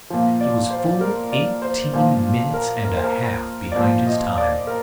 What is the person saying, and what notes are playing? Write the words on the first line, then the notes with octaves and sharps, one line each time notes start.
He was full eighteen minutes and a half behind his time.
A#2 F3
D5
C5
A#4
D5
C5
A#2 F3 C5
A#4
A#4
C5
A#4
D5
A#2 F3 C5
D#5
D5
A#4